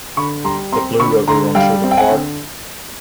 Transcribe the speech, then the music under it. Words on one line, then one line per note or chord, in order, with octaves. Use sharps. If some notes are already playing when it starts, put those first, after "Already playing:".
The Blue River runs through the park.
D3 B5 C#6
G3 A#5 C6
C4 A#5 C6
D3 B5 C#6
D3 A#5 C6
G3 F5 G5
C4
G5
F#5 G#5
D3